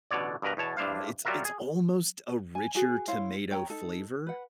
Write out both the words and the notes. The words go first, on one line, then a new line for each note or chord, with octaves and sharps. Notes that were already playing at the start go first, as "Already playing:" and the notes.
I don't know, it's it's almost a richer tomato flavor.
A1 B2 D3 C#5 D5
G2 B2 A#4 B4 A#5
E2 B2 C#5 A5
G2 D4 E4 C5 F5
F#3 G3 F4 F#4 A#4 E5
G#4
G#5
F#4 G#4 G#5
E4 C5 C#5 F5
C#5 G5 A#5
D#4 A4
B4 F#5